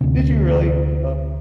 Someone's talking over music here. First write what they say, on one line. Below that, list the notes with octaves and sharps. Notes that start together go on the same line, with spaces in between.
Did you really? Oh,
D2 C3 D4